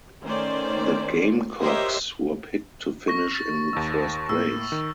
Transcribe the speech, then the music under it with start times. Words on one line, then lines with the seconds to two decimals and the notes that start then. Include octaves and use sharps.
The Gamecocks were picked to finish in first place.
0.24 D#3 A3 C#4 C5 D5
1.60 G4 A#4 C5 C#5 D#5 E5
3.08 C#6 A#6
3.35 A6
3.73 D#2 D#4 E6
4.29 A2 A#3 E6
4.72 D#3